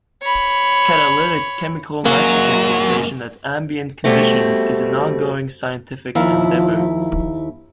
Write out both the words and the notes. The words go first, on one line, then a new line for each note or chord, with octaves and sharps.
Catalytic chemical nitrogen fixation at ambient conditions is an ongoing scientific endeavor.
C#5 B5
F#2 F#3 G#3 A#3
B2 G3 A3 C4
D#2 F3 E4 F5